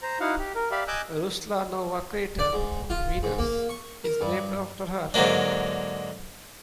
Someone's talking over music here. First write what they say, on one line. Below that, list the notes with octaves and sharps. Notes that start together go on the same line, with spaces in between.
Ruslanova crater on Venus is named after her.
C5 A#5
D#4 E4 F#4 F5 F#5
G4
A#4
G4 D5 E5 F5 B5
D#5 G#5 D6 E6 F#6 G6
D5
G#2
F4
G#2
A#3
C#6
A#4
G2
G#2 D3 F#3 A#3 D4